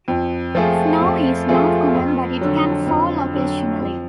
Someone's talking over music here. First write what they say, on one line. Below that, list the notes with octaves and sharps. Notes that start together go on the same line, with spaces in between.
Snow is not common but it can fall occasionally.
F2
F3 A3 F4 G#4
F2
F3 A3 F4 G#4
F2
D3 F#3
F2
D3 F#3
F2